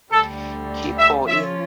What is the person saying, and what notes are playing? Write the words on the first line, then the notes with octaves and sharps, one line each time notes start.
Keep going!
D2 D3 G3 A4
E5
F3 C#4 F4 E5